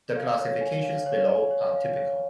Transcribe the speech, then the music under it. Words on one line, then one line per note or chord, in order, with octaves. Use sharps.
The classifications below are typical.
F5
C#5
G#5
F5
C#5
G#5
C#5
F5
C#5